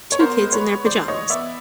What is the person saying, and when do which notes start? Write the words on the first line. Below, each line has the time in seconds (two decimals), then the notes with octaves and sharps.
Two kids in their pajamas.
0.12 C#5
0.19 B3 A#4 C5
0.42 G#3
0.53 B4 C#5
0.64 G#3
0.85 E3 C5 D5
1.08 E3 C#5 D#5
1.30 B3 D5 E5